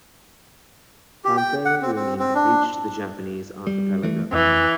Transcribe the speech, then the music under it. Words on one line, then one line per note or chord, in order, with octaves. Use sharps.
"Panthera youngi" reached to the Japanese Archipelago.
G4
G5
F#5
C4
C4
C4
D4
G3
E3 A3
F2 E3